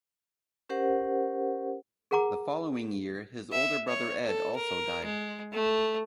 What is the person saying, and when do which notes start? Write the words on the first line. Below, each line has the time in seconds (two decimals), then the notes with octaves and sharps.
The following year his older brother Ed also died.
0.69 C#4 G4 A#4 C5 F#5
2.11 G#4 A#4 F#5 A#5 D6
3.52 E5
3.88 C#5
4.25 A4
4.56 A#4
5.05 G#3
5.53 A3